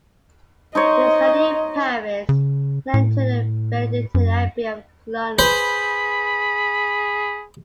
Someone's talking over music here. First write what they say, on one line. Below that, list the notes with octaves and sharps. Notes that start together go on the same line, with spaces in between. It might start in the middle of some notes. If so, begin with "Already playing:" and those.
He studied in Paris and entered the Benedictine Abbey of Cluny.
D#4 C5 C#5 D#5
C#3
A2
F#2
G#4 B4 C5 B5